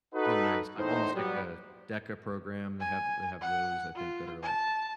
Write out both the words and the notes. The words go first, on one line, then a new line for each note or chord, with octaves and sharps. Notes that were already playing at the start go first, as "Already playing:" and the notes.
Oh, nice, but almost like a DECA program. They have they have those, I think, that are, like,
D#4 F#4 A4 B4
E2 A2 D#4 C5
F#3 G3 B3
G#5
F#5
F4
A5